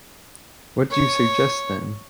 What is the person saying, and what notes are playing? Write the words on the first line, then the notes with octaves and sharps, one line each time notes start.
What do you suggest, then?
C#5